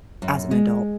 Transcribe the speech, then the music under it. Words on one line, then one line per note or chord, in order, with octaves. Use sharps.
as an adult."
F#2
G#3